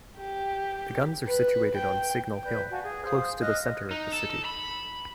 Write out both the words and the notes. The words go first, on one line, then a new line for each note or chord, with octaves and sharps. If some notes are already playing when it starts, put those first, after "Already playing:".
The guns are situated on Signal Hill, close to the centre of the city.
G4
B4
G5
B4 D5 G5 G6
F#4 F5 G#5 A5
G#4
C5 F5 D#6
D#5 D#6 F6 F#6
D#4
A4
B5